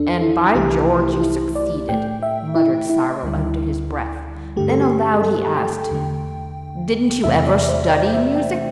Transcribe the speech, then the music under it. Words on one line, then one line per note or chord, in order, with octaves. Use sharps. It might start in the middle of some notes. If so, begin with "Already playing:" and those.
"And, by George! you succeeded," muttered Cyril under his breath; then aloud he asked: "Didn't you ever study music?"
Already playing: E2 E3 D4 A4
E4
C2 C3 E3 A3 G4
E4
E4
G4
E4
D5
A2 A3 G5
E5
E4
E4
D2 D3 G3
G2 D3 A3 G4
A4
G4
A4
G5
E2 D3 A3
E2 C3 E3 A3 E5
D5
C5
D5
E5
G5